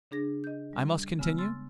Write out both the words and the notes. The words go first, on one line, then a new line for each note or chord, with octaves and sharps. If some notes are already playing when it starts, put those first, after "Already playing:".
I must continue?
C#3 D4 G#4 A#6
D#5 G6
G3
C#3 G#3 B3 E6 F6
C6 E6 F6 A6